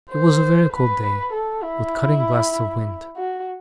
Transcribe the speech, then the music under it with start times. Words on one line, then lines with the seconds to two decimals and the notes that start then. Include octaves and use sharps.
It was a very cold day, with cutting blasts of wind.
0.11 C5
0.72 B4
1.32 A4
1.63 E4
3.16 F#4